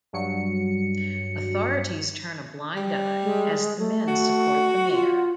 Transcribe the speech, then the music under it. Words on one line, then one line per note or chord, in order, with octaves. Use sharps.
Authorities turn a blind eye as the men support the mayor.
G2 F#3 C#7
G3
G#3
A3
F#4
F4